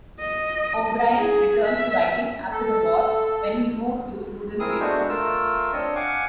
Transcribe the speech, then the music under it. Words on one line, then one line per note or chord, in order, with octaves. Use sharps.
O'Brian returned to writing after the war, when he moved to rural Wales.
D#5
G#4
E5
A4
C4 E4 G#4 A#4 D#6
G#3 A3 B3 D4 F#4 C5
A3 F4 A#4 E6
C4 D4 C#5 D#5
F5 F#5 G#5 C#6 D6